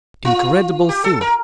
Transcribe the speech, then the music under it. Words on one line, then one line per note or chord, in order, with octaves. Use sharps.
Incredible thing!
F4
G4
A4
A#4